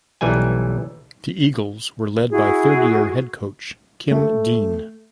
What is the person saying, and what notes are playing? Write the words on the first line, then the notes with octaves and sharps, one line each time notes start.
The Eagles were led by third year head coach Kim Dean.
B1 E3 G3 A3 G#5
E4 F#4 G#4
A3